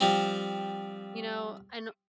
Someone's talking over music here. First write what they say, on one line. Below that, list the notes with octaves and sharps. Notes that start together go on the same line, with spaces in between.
you know, and
F3 G3 C4